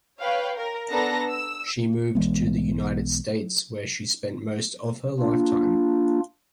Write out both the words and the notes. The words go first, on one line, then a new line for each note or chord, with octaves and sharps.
She moved to the United States where she spent most of her lifetime.
B4 C#5 F5 G5
A#4
B3 D4 A4 A5 A#5 A#6
E6
B1 E3 G#3 B3
A#3 D4 F4